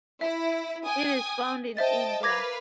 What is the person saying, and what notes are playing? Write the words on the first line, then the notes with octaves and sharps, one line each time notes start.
It is found in India.
E4 E5
G5 G#5 D#6
C5 D#5 E5 G5 A5 A6
A#4 B4 F5 D6 G#6 A#6